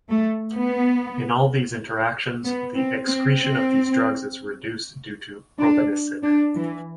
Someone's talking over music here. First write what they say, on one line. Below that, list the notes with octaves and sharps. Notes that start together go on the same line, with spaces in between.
In all these interactions, the excretion of these drugs is reduced due to probenecid.
A3
B3
B3
C4
C4
C4
D4
D4
E3